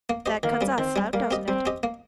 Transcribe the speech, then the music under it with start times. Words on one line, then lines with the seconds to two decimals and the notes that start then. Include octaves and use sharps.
"That cuts us out, doesn't it?"
0.10 A#3
0.26 G4 C5 D#5
0.43 D#3 A#3
0.61 G3 C4
0.78 D#3 C4
0.96 G3 C4
1.13 G3 A#3
1.31 C4 G4 D#5
1.48 G3 C4
1.66 C4 G4 D#5
1.83 A#3